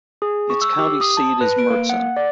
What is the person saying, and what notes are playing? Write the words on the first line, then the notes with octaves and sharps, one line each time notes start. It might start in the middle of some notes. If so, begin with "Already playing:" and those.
Its county seat is Mertzon.
G#4
C#6
E6
G4
D#6
A5
B4
D7
A#3
F#5
D5